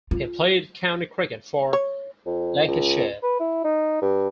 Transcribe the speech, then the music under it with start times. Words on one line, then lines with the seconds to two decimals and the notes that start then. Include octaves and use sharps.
He played County Cricket for Lancashire.
0.11 F4
1.73 C#5
2.26 F2
2.67 C#2
3.23 B4
3.40 E4
3.64 D#4
4.02 G2